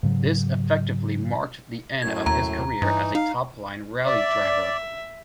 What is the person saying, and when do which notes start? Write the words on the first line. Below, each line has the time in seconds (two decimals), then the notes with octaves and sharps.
This effectively marked the end of his career as a top-line rally driver.
0.03 G#2 C#3 F#3
2.02 F#2 A2 G#6
2.26 D#2 A#5
2.82 G2 E3 D#4
3.15 D#4 F5
4.06 D5 E5